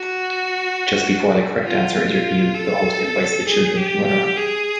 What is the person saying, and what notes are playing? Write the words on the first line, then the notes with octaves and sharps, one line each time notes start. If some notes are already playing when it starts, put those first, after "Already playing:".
Just before the correct answer is revealed, the host invites the children to Runaround...
Already playing: F#4
F4
F4
A4
G#4
G4
G4
G#4